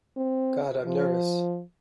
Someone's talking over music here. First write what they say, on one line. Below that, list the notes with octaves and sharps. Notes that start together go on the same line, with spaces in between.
God, I'm nervous!
C4
F3